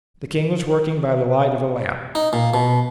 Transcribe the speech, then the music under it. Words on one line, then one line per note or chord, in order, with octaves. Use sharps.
The king was working by the light of a lamp.
D#4
A#2
B2